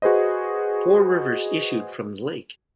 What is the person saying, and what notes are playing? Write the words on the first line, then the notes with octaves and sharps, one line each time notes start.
Four rivers issued from the lake.
F#4 G#4 B4 C5 D#5